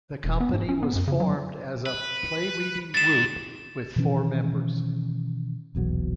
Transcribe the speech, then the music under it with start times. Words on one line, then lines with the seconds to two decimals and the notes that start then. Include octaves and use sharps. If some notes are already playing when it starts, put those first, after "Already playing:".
The Company was formed as a 'play-reading group' with four members.
0.24 E1
0.40 B3
0.53 G#2
0.69 C#4
0.82 B3
0.95 F#2
1.08 C#3
1.20 F#3
1.86 B4
2.94 G#2 A6 E7
3.96 B2 D#3 E3 C#4
5.75 D#1 B1 E2 F#3